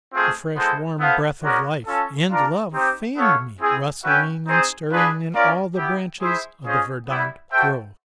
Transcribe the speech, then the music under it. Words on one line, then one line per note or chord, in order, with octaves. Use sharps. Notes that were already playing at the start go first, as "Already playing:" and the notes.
A fresh, warm breath of life and love fanned me, rustling and stirring in all the branches of the verdant grove.
A3 C4 F4 G#4 C5
G#3 B3 E4 A4 C5
B3 E4 A4 C5 F5
G#3 C#4 F#4 A#4 D5
C#4 F4 A4
D4 F4 A#4 D5
C4 D#4 G4 C5
B3 E4 A4 C#5 F5
C4 E4 G#4
C#4 F#4 B4 E5 G5
C4 D#4 G#4 C5
D4 F4 G#4 B4
C#4 F4 A#4 D5 F5
B3 E4 G4
E4 G#4 C5 E5
C#4 F4 G#4 C5 D#5
G3 B3 E4
F#4 A4 C5 E5 G5